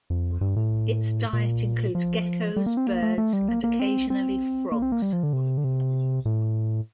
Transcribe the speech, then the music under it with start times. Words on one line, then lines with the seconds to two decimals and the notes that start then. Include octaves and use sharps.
Its diet includes geckos, birds and occasionally frogs.
0.10 F2
0.41 G2
0.56 A2
1.33 A#2
1.95 F3
2.56 G3
2.66 A#3
2.77 C4
2.87 A#3
3.02 A3
3.18 A3
3.33 G3
3.48 A#3
3.64 A#3
3.80 C4
4.10 C4
4.72 A#3
4.82 C4
4.92 A#3
5.02 G3
5.13 F3
5.23 D3
5.33 C3
5.57 D3
5.64 C3
6.25 A2